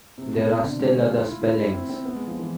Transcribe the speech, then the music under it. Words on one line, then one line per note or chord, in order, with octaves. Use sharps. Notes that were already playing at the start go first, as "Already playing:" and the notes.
There are still other spellings.
C3
B2
C3
D3
G#3
A3
F4
E4
E4
E4
C4
C4
B3
G#3
F3
E3